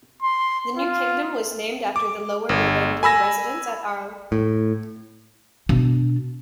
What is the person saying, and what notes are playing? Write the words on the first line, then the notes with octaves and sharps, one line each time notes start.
The new kingdom was named after the Lower Burgundian residence at Arles.
C6
F4
D6
G1
G#5 B5 E6 A#6
A2
B2 D4